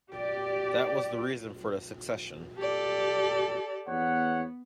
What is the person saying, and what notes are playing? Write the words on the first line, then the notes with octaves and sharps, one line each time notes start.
That was the reason for the Secession.
G4 D5
G4 A4 D5
E2 B3 C#5 F#5